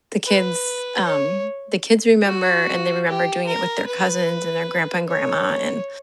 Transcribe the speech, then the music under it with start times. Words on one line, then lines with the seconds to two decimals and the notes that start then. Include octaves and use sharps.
the kids um, the kids remember, and they remember doing it with their cousins and their grandpa and grandma, and
0.25 B4
1.05 C#5
2.26 F#4
3.07 G4
3.47 A#4
3.87 B4
5.07 C#5